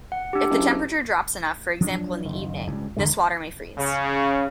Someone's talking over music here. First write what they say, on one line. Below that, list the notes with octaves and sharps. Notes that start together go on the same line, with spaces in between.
If the temperature drops enough, for example in the evening, this water may freeze.
F#5
D4 G4
F#1
F3 F#3 D4
F#1 D#3
C#2 G2
E2 D3 D#3 G#3
C#3